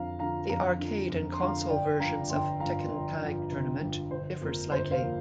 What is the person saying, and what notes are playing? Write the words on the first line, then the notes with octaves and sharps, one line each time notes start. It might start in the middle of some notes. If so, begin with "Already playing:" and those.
The arcade and console versions of "Tekken Tag Tournament" differ slightly.
Already playing: F2 D3 F3 F5 A#5
D3 F3 F5 A#5
F2 F5 A#5
D3 F3
F2
C6
D3 F3 F5 A#5
F5
G1 D5 G5
G2 F3 F5 A#5
G1 G5 C6
G2 F3 F5 A#5
G1
G2 F3
G1
G2 F3
G1 C5
F2 F3 A#3 A#4
G1 C5
C5 F5
F3 A#3